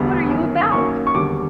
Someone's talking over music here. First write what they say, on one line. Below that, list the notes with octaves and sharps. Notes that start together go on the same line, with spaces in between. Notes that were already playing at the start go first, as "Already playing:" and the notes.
What are you about?'
Already playing: E1 D2 D3 G3 B3
G1 F#2 D#3
F#2 D#3 F#3 A#3 C#4 C#6
C#6
E1 D#2 D3 G3 D6